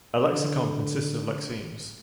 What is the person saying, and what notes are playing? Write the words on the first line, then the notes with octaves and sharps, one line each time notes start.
A lexicon consists of lexemes.
D3